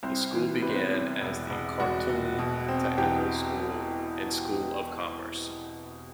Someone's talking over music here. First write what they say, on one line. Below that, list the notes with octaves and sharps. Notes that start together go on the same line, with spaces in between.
The school began as the Khartoum Technical School and School of Commerce.
C2 C4 C5
E3
C3 B4
C5
B3 B4
C2
E1
E1
E1 F#4 F#5
E1
B2
C4
E2 G4 G5